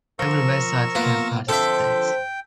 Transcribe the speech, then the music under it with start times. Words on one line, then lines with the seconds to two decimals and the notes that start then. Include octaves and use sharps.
Every website can participate.
0.19 F3 A#4 C#6 E6
0.95 A#3 B3 F4
1.49 D3 F3 C4 A4 C5 E5 G5